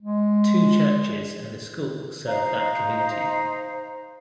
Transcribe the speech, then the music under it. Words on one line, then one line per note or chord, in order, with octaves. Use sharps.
Two churches and a school served that community.
G#3
D#4 C5 F5 A#5